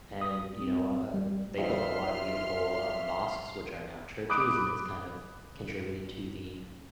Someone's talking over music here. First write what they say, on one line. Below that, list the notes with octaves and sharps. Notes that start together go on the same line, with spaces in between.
and, you know, uh, they built a lot of beautiful, uh, mosques, which are now churches, and it's kind of contributed to the
D#6
C4
G3
F2 G3 D#4 F4 E5 C6 F6 C7
B5 D6 D#6 F#6 D7